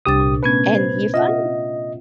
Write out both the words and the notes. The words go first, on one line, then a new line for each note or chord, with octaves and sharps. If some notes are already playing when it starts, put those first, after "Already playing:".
And you find
C2 C3 D4 G4 D#6 A6
A#2
A3 B3 C#4 B4 G#6
C5
F4 D#5 E5 F#5